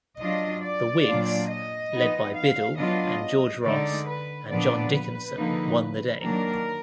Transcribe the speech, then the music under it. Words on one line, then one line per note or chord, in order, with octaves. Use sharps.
The Whigs, led by Biddle and George Ross and John Dickinson won the day.
F#3 D4 F4 D#5
D5
A#2 F#3 D4 F4
D#5
F3 B3 D#4
F5
F#3 B3 D4 F4 D#5
D3 G#3 D#4 D5
B4
A#2 F3 B3 D4 D5
B4
D3 F3 A#3 D#4
D#3 F#3 A#3 D4 A#4